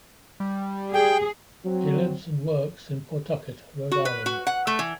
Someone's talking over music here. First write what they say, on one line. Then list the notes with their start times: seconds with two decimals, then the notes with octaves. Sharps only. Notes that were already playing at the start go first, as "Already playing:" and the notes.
He lives and works in Pawtucket, Rhode Island.
0.40 G3
0.94 G#4 G5
1.64 F#3 C4
3.92 F#4
4.05 B4
4.26 F#4
4.47 F#5
4.67 A3
4.79 E3